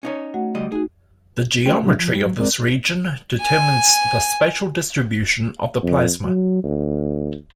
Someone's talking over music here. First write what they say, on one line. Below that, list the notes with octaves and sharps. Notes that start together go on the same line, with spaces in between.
The geometry of this region determines the spatial distribution of the plasma.
C#4 D#4 C#5
A3 F#4 F#5
D2 G3 D#5
D#4 F#4 G#4
A3 C#4 F#4 C5 G5
A2 C3 F#3 G3 A3 D4
F3
G#2 G3 G4
F#3
C2 G#3 C4 A#4 D5
G#5
F2
F#3
D2